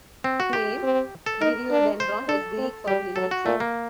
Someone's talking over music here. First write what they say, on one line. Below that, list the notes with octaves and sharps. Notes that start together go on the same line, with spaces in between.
The name "Liriodendron" is Greek for "lily tree".
C4
F#4
G4
C4
A4
D#4 A#4
D4
C5
D4 A4
C4
G3 G4
F#3 A4
F#4
A#2 A3
A#3